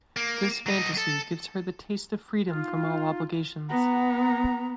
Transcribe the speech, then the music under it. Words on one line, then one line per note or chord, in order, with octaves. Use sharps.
This fantasy gives her the taste of freedom from all obligations.
A#3
F#3 D#5
A4
D#4 F4
B3 F#5 A#5